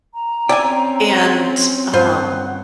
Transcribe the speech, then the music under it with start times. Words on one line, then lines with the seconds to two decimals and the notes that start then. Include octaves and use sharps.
and, um,
0.14 A#5
0.49 C4 C#4 D5 E5 G5 G#5
1.93 G2 F4 C5 F#5